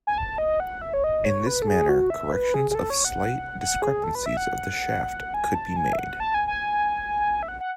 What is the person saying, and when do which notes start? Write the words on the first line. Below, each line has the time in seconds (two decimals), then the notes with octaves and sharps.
In this manner corrections of slight discrepancies of the shaft could be made.
0.07 G#5
0.18 A5
0.38 D#5
0.60 F#5
0.81 E5
0.94 C#5
1.04 D#5
1.25 C#5
1.47 B4
1.62 A4
1.68 G#4
1.89 F#4
2.10 E5
2.33 B4
2.54 G#4
2.71 G#4
2.75 A4
2.90 C#5
3.05 F#5
3.61 F#5
3.82 G#4
4.04 A4
4.15 B4
4.26 E5
4.37 F#5
5.34 G#5
5.55 A5
5.76 G#5
5.93 E5
5.98 F#5
6.20 A5
6.34 G#5
6.47 G#5
7.43 E5
7.48 F#5
7.60 F#5